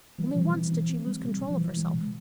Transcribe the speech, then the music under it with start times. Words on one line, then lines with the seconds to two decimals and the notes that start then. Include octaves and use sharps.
Only once did she lose control of herself.
0.18 E3 G3
0.33 B2 F3
0.45 E3
0.54 C4
0.72 C4
0.90 C4
1.07 G3
1.24 B2
1.41 B2
1.50 F3
1.59 B2 E3
1.77 G#3
1.94 B2